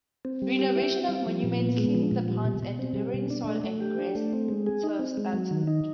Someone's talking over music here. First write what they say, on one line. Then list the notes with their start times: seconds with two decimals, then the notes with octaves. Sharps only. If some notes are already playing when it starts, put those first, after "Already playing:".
Renovation of monuments, cleaning the ponds and delivering soil and grass turf started.
0.25 C4
0.42 G3
0.59 G4
0.76 E4
0.92 C4
1.09 G3
1.26 F3
1.43 A#2
1.60 B3
1.78 G#3
1.95 F3
2.11 A#2
2.28 G3
2.45 B2
2.63 B2
2.79 C4
2.96 G3
3.14 B2
3.30 D4
3.47 A3
3.64 A3
3.81 G4
3.99 D4
4.15 A3
4.33 C4
4.49 G#3
4.67 G#4
4.84 D#4
4.99 C4
5.17 G#3
5.33 F#3
5.51 D#3
5.67 D#4